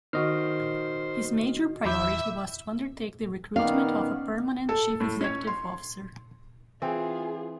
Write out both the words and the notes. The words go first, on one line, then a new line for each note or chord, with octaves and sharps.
His major priority was to undertake the recruitment of a permanent chief executive officer.
D#3 F#4 C5 D#5 F6
E2 E5 B5 D6 G6
D#3 B3 C#4 D5 F5
A4
A2
C#4 C#5
C6
E3 C4 F4 G#4